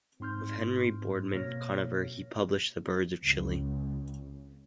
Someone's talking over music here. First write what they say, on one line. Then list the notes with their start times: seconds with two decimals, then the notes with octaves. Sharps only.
With Henry Boardman Conover he published "The Birds of Chile".
0.20 G#2 C4 C6 F6 G6
1.33 B2 A#3 C#5 F6 A#6
3.22 C#2